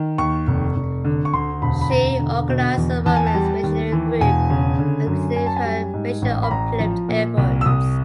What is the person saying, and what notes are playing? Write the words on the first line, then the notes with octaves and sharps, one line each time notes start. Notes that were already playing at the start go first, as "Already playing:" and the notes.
She organized a women's missionary group, and continued her "racial uplift" efforts.
Already playing: D#3
D#2 C#6
F1
F1
D3
C#6
D2 C6
E1 B5
B5
E1 A#5
D3
B2
E2
E2 A5
G#5
A5
G3
D#2
E3
E1 G#5
C#3
D3
F#2
F#2 G#5
A5
G#5
G3
G#2
A1
B5
A1 A#5
F3
A#2
C2
E6
C2 D#6